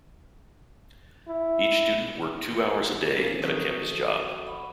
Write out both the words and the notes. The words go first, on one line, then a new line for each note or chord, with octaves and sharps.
Each student worked two hours a day at a campus job.
E4
F3 A#3 C4 C#4
D#3 F#3 C4 F#4 A4 C#6 D#6
F#5 B5 C#6